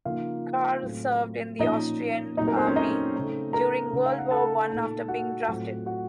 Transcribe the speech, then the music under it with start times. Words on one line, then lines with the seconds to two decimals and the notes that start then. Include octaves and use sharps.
Carl served in the Austrian army during World War One after being drafted.
0.05 C#3 F3 A#3 D#4 F4 F5
0.82 A2 F#3 C4
1.59 A#2 F3 A#3 C#4 D#4 D#5
2.37 A#2 F#3 A3 C4 D#4 D#5
2.48 A#4
2.56 C4 C5
2.67 C#4 C#5
2.76 D#4 D#5
3.15 C#3 A3 C4 D#4
3.53 A#4 A#5
3.93 C#3 A3 D#4
4.06 F5
4.18 F#5
4.31 A4 A5
4.70 A#2 A3 D#4
5.08 F#4 F#5
5.48 A2 F#3 C4 F4
5.86 F#4 F#5